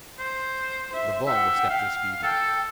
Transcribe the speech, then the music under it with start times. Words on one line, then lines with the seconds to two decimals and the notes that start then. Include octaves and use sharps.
The bomb was Captain Speedy.
0.19 C5
0.91 C5 E5
1.27 E5 F#5 G5
1.70 F5
2.23 A4 G5